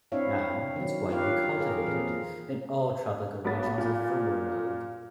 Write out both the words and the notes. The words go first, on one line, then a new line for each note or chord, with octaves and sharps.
Now, it is widely cultivated in all tropical regions of the world.
C4 D4 E4 C#5 E5 F5
D#3 F#3
F4 G4 A#4 B4 C#5 F5
G#4 A#4 F5
A#2 E3 C4 G#4
B1 B3 A6
A#2